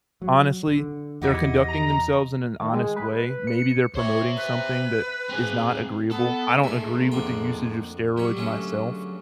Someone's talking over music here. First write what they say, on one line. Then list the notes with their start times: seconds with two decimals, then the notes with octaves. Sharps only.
honestly, they're conducting themselves in an honest way. Maybe they're promoting something that is not agreeable. I don't agree with the usage of steroids myself.
0.22 F#3
0.67 D3
1.22 E2 E4 G4 D#5 F#5
1.68 A#5
2.60 D#3
2.73 G#3
2.96 B4
3.47 C#7
3.95 C5 C#5 E5
4.37 B4
5.29 C4 G#4
6.11 B3 A4
6.64 G#3 A#3 D#4 G#4 A4 E5 G#5
7.12 F2 D3 G5
8.18 F#3 G3 C#6
8.37 G2 D3 G#3 A3 C#4 C#5